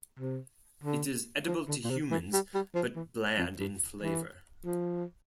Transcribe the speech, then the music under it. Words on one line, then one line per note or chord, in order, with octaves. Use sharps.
It is edible to humans, but bland in flavour.
C3
D3
F3
D3
A#2
C3
E3
G3
G3
F3
E3
F2
G2
E3
F3